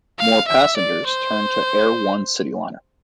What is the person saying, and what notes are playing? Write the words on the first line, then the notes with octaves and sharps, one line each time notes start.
More passengers turned to Air One Cityliner.
F5
E5
D5
C5